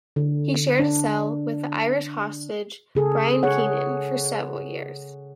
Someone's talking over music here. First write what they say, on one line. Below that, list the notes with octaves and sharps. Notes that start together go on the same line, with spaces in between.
He shared a cell with the Irish hostage Brian Keenan for several years.
D3
D4
C#3 G#4 A4
G#4 C#5 F#5